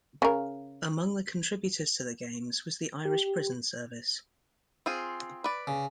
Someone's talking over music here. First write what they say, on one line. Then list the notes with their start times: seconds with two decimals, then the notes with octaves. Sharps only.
Among the contributors to the Games was the Irish Prison Service.
0.22 C#3 A#4
3.05 G4
4.86 C4 F4 G#4
5.44 B4 D5
5.67 C#3